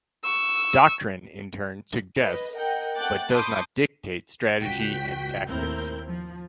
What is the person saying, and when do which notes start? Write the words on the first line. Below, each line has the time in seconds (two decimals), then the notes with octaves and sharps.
Doctrine, in turn, suggests but does not dictate strategy and tactics.
0.24 C#6 E6
2.21 B4 D#5
2.54 A#4 D#5 F#5 G5
2.97 A3 F#5 G5 D6 F#6 A6
3.30 A5 B5 C6 D6 D#6 G6
4.60 C#2 F#4 G5 B6
5.48 D#2 A2 C4 E4 A#4 G6
6.09 F3